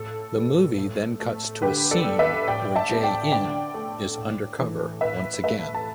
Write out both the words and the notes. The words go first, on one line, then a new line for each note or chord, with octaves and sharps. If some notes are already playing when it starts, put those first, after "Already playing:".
The movie then cuts to a scene where Jae-in is undercover once again.
Already playing: A2 A4
G3 B3
A2
A3
D3 G4 B4
A4 D5
G3 B3
B4 E5
A2 D5 G5
E5 A5
G3 B3
D5 G5
D3 D5 G5
A3
A2
E3 A3
A2 B4 E5
A3 B4 E5
A5